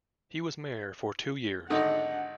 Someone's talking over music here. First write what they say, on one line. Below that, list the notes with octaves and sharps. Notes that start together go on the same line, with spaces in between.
He was Mayor for two years.
G#1 D3 D4 D#4 F#5